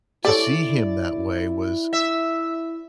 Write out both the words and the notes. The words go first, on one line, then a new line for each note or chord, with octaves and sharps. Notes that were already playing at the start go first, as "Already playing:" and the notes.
to see him that way was
E4 G4 A4 C#5 D5
E5